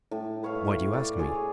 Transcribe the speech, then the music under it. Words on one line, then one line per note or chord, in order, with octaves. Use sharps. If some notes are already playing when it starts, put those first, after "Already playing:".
Why do you ask me?
A2
B4 C#5 E5 F5
D5
G#4 C#5 D5 G#5